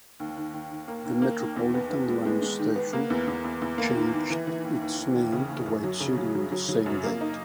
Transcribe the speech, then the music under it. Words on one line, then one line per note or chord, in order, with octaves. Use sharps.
The Metropolitan line station changed its name to White City on the same date.
D#2
D#3
D#2
D#3
A#3
D#2
A#3
D#2
E2
B3
B3
G#3
G#3
G#3
D#3
B3
A#3
E2
E2
E2
E2
A#3
D#3
D#3
E3
E3
D#2
D#2
D#2
D#2
C#3
D#2
F#2
F#3
C#3
F#3
F#3
F#3
F#3
F#2
A#3
D#4